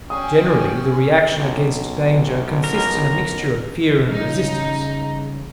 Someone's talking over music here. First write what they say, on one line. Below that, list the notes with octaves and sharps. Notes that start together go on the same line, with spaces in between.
Generally the reaction against danger consists in a mixture of fear and resistance.
C#4 F#4 G#4 G5 D#6
B1
A#4
C#3 E3 G3 D#4